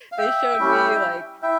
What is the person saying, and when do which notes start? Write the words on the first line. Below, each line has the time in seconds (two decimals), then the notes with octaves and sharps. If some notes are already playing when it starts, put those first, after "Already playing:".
they showed me, like,
0.12 F5
0.18 E5 G5
0.59 G3 C#4 E4
1.43 E4 E5 G5